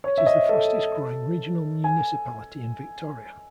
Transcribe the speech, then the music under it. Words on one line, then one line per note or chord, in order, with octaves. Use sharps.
It is the fastest growing regional municipality in Victoria.
C#5
E5
D#5
A4
G#5